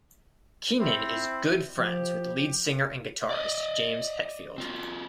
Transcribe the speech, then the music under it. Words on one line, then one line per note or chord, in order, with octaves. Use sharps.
Keenan is good friends with lead singer and guitarist James Hetfield.
C4 E4 C5
F3 G4
D5 D#5
C4 F4 F#4